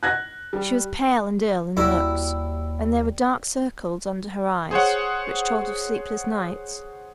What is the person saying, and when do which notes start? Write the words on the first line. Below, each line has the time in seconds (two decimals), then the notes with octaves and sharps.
She was pale and ill in looks, and there were dark circles under her eyes which told of sleepless nights.
0.03 F#6 G#6 A#6
0.53 G3
1.77 D#2 G3 E4 F#4 A#4
4.71 G#4 C5 C#5 F#5